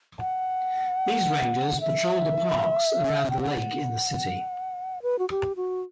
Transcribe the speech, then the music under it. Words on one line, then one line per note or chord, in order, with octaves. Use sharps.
These rangers patrol the parks around the lake in the city.
F#5
E5
G5
F#5
B4
F#4
G4
F#4